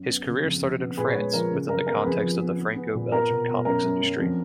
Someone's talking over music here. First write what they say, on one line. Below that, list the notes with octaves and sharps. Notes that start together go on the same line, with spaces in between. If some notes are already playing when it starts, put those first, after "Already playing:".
His career started in France within the context of the Franco-Belgian comics industry.
Already playing: F#2
B3
C#3
F2
F2
B3
A#2 G#4 B4
C#5
G#3 G#4 B4
F3 A#4
C#3
F#2 A#4
B3 A#4
F2 G#4 B4
F3
B3
B3
B3
A#2
B3 A#4
B2
B2
F#2 A#4
F#2
F#2
F2